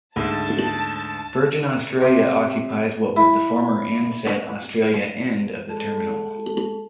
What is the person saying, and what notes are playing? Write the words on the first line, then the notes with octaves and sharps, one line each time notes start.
Virgin Australia occupies what was the former Ansett Australia end of the terminal.
D2 G#2 A5
C3
E4
G#3 G#4 A4 A5